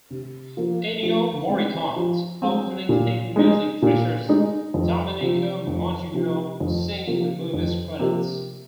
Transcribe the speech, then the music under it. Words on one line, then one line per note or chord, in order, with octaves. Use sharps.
Ennio Morricone's opening theme music features Domenico Modugno singing the movie's credits.
C3
F3 A#3
F3
G#3 C4
F3
G#3 C4
A#2
G#3 D#4
A#2
G#3 D#4
F2
C3 F3
F2
C3 F3
F2
C3 F3 A#3
F2
C3 F3 A#3